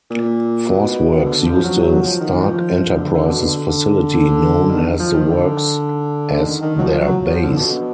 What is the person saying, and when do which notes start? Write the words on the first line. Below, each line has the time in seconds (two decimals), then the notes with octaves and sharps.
Force Works used a Stark Enterprises facility known as The Works as their base.
0.11 A#2
0.68 B2
1.25 D3
1.45 F3
1.64 F#3
1.83 F#3
2.02 F3
2.21 D#3
2.40 F3
2.98 D3
3.13 D3
3.27 B2
3.41 D3
4.13 D3
4.71 D#3
4.99 F3
5.14 D#3
5.28 D3
6.33 D3
6.43 D#3
6.62 D#3
6.78 F#3
6.81 F3
7.01 F#3
7.30 F3
7.44 D3
7.58 B2